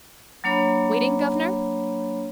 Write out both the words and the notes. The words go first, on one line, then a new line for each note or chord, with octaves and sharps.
Waiting, guvnor?
F#3 A#3 D4 C#5 B5